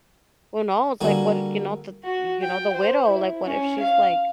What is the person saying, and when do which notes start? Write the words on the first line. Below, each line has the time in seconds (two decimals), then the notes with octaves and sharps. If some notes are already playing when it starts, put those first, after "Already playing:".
who knows? Like, what you know, the you know, the widow, like, what if she's, like,
1.01 D3 G3 A#3 F#4 G#4
2.04 F#4
2.42 G5
2.73 C5
3.06 E4
3.43 C#4
3.80 F5